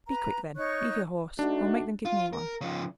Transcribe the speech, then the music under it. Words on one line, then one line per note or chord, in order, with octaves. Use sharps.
"Be quick, then; leave your horse, or make them give me one."
B4 A#5
D#4 C#5 C#6 F#6
A3 D4 D#4 F#4
F4
A#4
C#3 F3